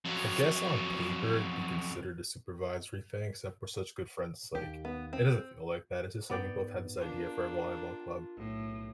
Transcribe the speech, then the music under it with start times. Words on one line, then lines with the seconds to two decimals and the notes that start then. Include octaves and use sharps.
I guess on paper, it'd be considered a supervisory thing, except we're such good friends, it's, like it doesn't feel like that, it's just, like, we both had this idea for a volleyball club.
0.05 F2 F#3
4.55 D#2 G4
4.85 B3
5.13 C4
6.30 G#2 B3 D5 G5
6.97 A#3 D4 F4
8.37 B1 A2